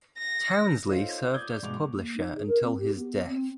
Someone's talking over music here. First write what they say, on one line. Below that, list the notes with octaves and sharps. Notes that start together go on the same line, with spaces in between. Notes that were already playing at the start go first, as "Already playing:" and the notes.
Townsley served as publisher until his death.
A#6
D#4 F4 A4 C5 C#5 F5
D5 D#6 G6 G#6
G2 B2 G#3 C#6 D6 F7
A#3
D#4
G#4
A#4
C4
G4
B3
C4